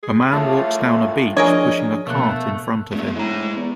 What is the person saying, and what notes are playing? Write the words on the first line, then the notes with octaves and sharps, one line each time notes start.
A man walks down a beach pushing a cart in front of him.
G#4
A2 A3 F4 E5 A5
F3 D4 G#4 A#4 C#5 D#5
B2 A3 A#3 F#6
E1 G#3 A3
A2 G#3 A#5
E2